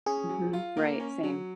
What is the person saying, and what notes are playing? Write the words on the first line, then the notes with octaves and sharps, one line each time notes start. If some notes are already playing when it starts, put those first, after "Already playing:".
Mhm. Right. Same.
C#4 G#4
F#3
F4
A#3
C#4
F#3